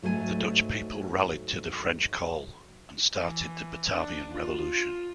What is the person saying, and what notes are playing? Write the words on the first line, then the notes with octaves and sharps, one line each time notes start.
The Dutch people rallied to the French call and started the Batavian Revolution.
G#2 F#3 A3 A4 G#5
E3
D4
F4